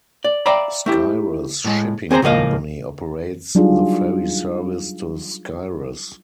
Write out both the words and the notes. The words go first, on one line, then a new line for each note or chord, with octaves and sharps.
Skyros Shipping Company operates the ferry service to Skyros.
D5
D5 E5 F5 G5 A#5 B5
A3 E4 G4
A2 G#3
C4 G#4 A4 C5 A#5
C#2 A2 F3 A#3 D#5 F5
F#3 G3 D4 D#4 F4 G#4